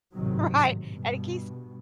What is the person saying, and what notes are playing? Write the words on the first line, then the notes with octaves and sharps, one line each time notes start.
Right? And he Keith's
A1 G#2 C3 D#3 F#3
G2 B2